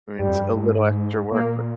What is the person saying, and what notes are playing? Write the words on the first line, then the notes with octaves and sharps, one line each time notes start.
I mean, it's a little extra work, but
G2 G3
F2
G2
G#2
A#2 A#3